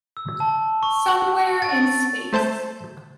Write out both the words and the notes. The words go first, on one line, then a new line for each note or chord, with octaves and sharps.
Somewhere in space.
E6
A5
C#6
A6
A3 C5 A5 G6